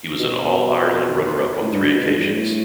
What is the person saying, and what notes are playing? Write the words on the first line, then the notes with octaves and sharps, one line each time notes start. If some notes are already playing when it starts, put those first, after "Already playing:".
He was an All-Ireland runner-up on three occasions.
B2
A2
G2
D3
B2
G2
E2
G2
A2